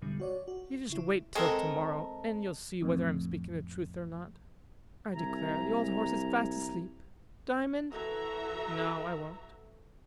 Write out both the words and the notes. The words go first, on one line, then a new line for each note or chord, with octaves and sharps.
"You just wait till to-morrow, and you'll see whether I'm speaking the truth or not.--I declare the old horse is fast asleep!--Diamond!--No I won't."
E2 G#2 B2 D3 G3
F#4 C#5 D5
F#4
C#3 E4
G#3 C4 A4 A#4
F2 A2
C2 E5 G#5 A#5
E3 F#4 A4 E5 A#5